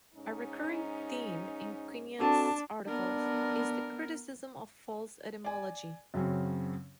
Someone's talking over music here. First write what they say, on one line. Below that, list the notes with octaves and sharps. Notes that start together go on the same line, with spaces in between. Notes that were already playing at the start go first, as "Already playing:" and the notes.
A recurring theme in Quinion's articles is the criticism of false etymology.
G#2 C#4 D#4
C4 D4 F#4 A4 A5
B3 D4 A#4
D5 G#5
F#2 C#3 F#3 C4 C#4